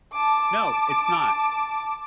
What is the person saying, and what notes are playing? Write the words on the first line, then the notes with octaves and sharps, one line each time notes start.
No, it's not.
A5 D6